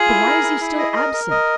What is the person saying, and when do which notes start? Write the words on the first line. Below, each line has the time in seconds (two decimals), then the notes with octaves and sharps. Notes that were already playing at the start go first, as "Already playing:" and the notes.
But why is he still absent?
Already playing: F4 G#4
0.08 E4
0.26 A#4
0.43 E4
0.61 E4
0.78 D#5
0.96 A#4
1.13 A#4
1.31 D#5